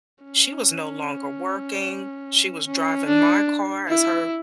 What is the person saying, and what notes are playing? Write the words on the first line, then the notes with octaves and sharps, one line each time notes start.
she was no longer working, she was driving my car as her
C#4
C#4
D4
E4